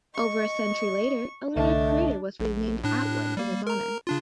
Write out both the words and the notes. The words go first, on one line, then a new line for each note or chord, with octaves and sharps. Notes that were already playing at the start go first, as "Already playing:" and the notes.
Over a century later, a lunar crater was renamed Atwood in his honour.
D#5 C#6
C2 D3 A3 D4 D#5
A#1
A2 D4 F#6
G3 A#3
A#4 A#5
C#3 D4 F4